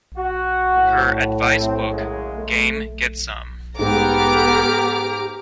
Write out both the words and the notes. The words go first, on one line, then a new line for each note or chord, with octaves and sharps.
Her advice book Game, Get Some!
F#4
A2
C3 C4
F#2 C#3 G#3
A3
G#2 A3 B3 G4 A4 A#5 D6 F6